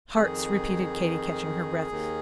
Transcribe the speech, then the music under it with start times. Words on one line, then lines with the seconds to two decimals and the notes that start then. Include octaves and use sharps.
"Hearts," repeated Katy, catching her breath.
0.15 F2 D#3 G#4
1.88 D#2 D#3